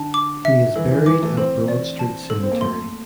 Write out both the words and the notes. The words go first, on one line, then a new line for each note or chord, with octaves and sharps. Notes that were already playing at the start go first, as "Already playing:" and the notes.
He is buried at Broad Street Cemetery.
Already playing: D3 A5
D6
E5
E3 A4
E3
E3 D6
A3
C4 A4
D5
A5
A4
C4
A#3
A3 C6